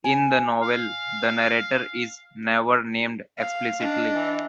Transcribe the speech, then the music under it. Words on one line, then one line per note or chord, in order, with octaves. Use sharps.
In the novel the narrator is never named explicitly.
G#5
F5
F5
D4 D#5
E3